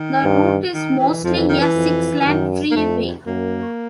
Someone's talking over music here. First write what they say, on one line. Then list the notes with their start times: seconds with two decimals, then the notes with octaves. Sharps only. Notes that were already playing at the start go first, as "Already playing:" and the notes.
The route is mostly a six-lane freeway.
Already playing: D#3
0.24 G2
0.74 D#3
0.99 E3
1.24 F2 F3
1.37 E3
1.49 D#3
1.61 E3
1.75 F2
2.21 E3
2.25 F#2 D#3
2.71 A#3
2.76 F2 A3
3.26 F#2 A#3